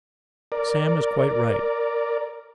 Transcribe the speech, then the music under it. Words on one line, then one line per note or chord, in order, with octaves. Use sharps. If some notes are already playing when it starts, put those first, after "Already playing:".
'Sam is quite right.
A#4 D5